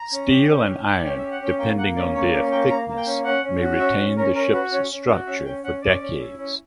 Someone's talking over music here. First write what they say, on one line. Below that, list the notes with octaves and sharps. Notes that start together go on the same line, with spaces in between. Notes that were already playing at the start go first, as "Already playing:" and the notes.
Steel and iron, depending on their thickness, may retain the ship's structure for decades.
Already playing: A#5
C#4
G4
C#4
G4
G4
C#4 G5
E5
G4
F#5
C#4 G5
A#3 G5
A#3 F#5
C#4 D5
A#3 C#5
C#4 D5
A#3 G5
A#3 A#5
A#3
G5
C#4
C#4 F#5
C#4
F#4
C#4 E5
C#4
C#4 A#4
C#4 A#4
F#4 B4
C#4 C#5
C#4
F#4 D5
C#4 E5
C#4 G5
C#4 F#5
C#4 D5
C#4
E4
C#4